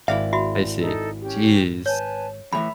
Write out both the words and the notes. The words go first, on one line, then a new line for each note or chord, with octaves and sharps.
I see. Jeez.
G#1 E4 D5 E5 F5
F#4 E5 B5
D#4 A4
C#4 G4
B4 C#5 G#5 A5
E2 A2 E3 E5 B5